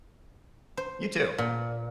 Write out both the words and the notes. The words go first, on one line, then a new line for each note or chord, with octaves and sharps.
You too.
C5
A#2